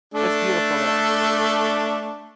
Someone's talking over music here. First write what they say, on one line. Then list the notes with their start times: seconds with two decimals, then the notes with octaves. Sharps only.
It's beautiful there.
0.14 A3 D4 A4